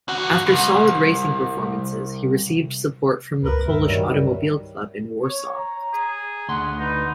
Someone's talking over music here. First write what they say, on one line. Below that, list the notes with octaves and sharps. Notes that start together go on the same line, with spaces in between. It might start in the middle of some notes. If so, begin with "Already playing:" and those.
After solid racing performances, he received support from the Polish automobile club in Warsaw.
E2 F#4
C2
C#2 A#4 B4
G2 E5
D#3 F#3 G3
C#5
A#5
G#4
D2 F#5 C6
D#4 B4